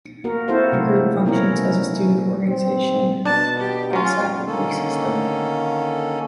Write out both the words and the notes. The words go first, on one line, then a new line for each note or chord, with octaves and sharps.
The group functions as a student organization outside the Greek system.
A#3 F#4 A#4
C4 E4 F#4 A4 C5 F5
C3 F#3 A3
F3
B3 C#4 E4 A#4 C#5
C#4
C4
B2 D4 A5
G4
F#3 C#4 F4
D3 D#3 A#3 C#4 A4